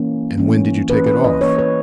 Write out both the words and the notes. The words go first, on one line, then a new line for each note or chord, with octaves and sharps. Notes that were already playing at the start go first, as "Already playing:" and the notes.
"And when did you take it off?"
Already playing: E3 A#3 C#4
E3 A#3 C#4
E3 A#3 C#4 B4
B4
D#5
E3 A#3 C#4 C#5
B4